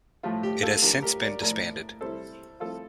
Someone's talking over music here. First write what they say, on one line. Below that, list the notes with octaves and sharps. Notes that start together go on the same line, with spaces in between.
It has since been disbanded.
A2 F3 A3 F4
G4
F4 A4
F3 A3 D4 G4 A#4
G4 A#4
A#4 D5
A2 F3 A3 E4 A#4 D5
C3 G3 C4 E4 A4 C5
F3 C4 E4 F4 A4